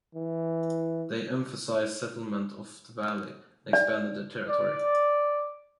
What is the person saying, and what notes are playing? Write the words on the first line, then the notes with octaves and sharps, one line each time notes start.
They emphasized settlement of the valley, and expanded their territory.
E3
D5
D5